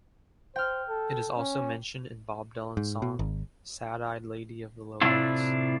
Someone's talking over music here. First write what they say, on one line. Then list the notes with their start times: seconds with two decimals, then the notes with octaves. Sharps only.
It is also mentioned in Bob Dylan's song "Sad Eyed Lady of the Lowlands".
0.56 C5 G5 F6
0.89 A4
1.37 C#4
2.77 G#2
3.02 B2
3.19 G#1
5.01 A2 C3 D4 E4 F4